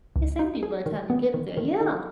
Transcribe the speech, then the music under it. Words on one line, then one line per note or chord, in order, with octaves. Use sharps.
It's empty by time you get up there. Yeah.
C#2
D#4
G#4
D#3
B3
D#3
D#3
D#4